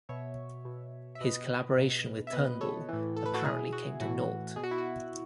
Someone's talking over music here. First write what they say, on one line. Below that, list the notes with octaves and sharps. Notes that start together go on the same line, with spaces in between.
His collaboration with Turnbull apparently came to naught.
B2 C#5 E5
B2
E5
B2 B4 D#5
B2
E5
B2 B4 D#5
A4 C#5
A2 E3
A4
B4
F#4 A4
B2 E4 G#4
F#4
A2 E3 F#4
B2 G#4
F#4
E4
F#4